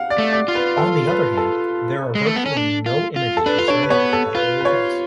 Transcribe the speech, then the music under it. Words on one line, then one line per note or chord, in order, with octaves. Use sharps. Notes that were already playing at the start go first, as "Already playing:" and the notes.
On the other hand, there are virtually no images referring to contemporary events.
Already playing: F5 F#5
D5
A3
D5
F4
B4
A4
B4
A4
G#3
A3
B3
C#4
D4
F4
F4
A4
D4 B4
F4
D4 C#5
B4
B3 C#5
A4
F4 B4
B4
C#5